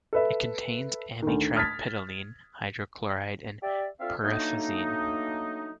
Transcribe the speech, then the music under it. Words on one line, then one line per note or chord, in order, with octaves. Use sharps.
It contains Amitriptyline hydrochloride and Perphenazine.
A4 B4 E5
D2 D#3
D#6 F6 G#6 A6 B6
G4 D5 E5
C4 D4 F4 A4 E5 F5
F#3 A3 A#3 D4 D#4